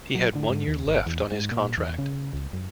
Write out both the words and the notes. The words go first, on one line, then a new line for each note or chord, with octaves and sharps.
He had one year left on his contract.
F#3
D3
G#2
D#2
G#1
E2
G#2
A#2
E2
C#3
C#2
F#2